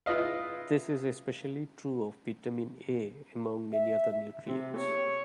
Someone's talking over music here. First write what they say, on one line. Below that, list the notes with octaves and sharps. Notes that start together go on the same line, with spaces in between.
This is especially true of vitamin A, among many other nutrients.
E4 F4 B4 D#5 F5
E5
C3
C#5